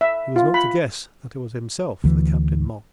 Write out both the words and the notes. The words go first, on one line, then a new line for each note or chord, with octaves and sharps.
He was not to guess that it was himself the Captain mocked.
E5
F4
B5
D2 E3